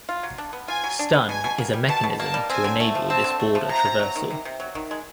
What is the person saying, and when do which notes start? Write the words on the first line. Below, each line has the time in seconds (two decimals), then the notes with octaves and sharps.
Stun is a mechanism to enable this border traversal.
0.09 F4
0.23 F#3
0.38 D4
0.53 B3
0.68 F4 G#5
0.83 F#3
0.99 D4
1.13 B3
1.28 B2 G#5
1.44 B2
1.58 A#3
1.73 G3
1.89 B2 A5
2.03 B2
2.19 A#3 A5
2.34 G3
2.49 C4 G#5
2.64 D3
2.80 A3
2.95 F3
3.09 C4 A5
3.24 D3
3.40 A3
3.55 F3
3.69 C3 A#5
3.85 C3
3.99 F#3
4.16 D#3
4.31 C3
4.45 C3
4.60 F#3
4.75 D#3
4.91 G#3